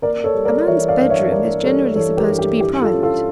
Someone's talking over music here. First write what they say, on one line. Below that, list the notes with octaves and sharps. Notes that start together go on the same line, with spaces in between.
"A man's bedroom is generally supposed to be private."
A#3 A#4 D5
A4 C#5
G3
A#4 D5
E3 C#5 E5
D5 F5
G2
C#5 E5
A#3 A#4 D5
G3 A4 C#5
E3 A4 C#5
G4 A#4
G2
G4
E4 G4
F4 A4
C#4
F4 A4